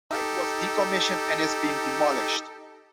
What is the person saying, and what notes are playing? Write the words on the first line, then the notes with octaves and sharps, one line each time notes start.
The ride was decommissioned and is being demolished.
D#4 G4 A4